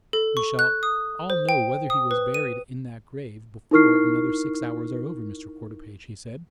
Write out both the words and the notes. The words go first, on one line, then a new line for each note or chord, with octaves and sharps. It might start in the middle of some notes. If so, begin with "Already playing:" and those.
"We shall all know whether he was buried in that grave before another six hours are over, Mr. Quarterpage," he said.
A4
C#6
F#6
D#6
C5
G5
D#6
B4
D#7
D#4 E4 A#4 C#6 F6 C7